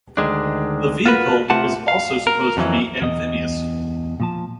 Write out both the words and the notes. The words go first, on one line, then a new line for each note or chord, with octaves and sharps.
The vehicle was also supposed to be amphibious.
D2 D#3 G#3 D4
F4 F#4 A#4 B4
C3 A3 F4 G4 F#5 A5
F5
A#4
F2 C3 D#3 E3 F#3
E2 D#5
A#2 F3 A5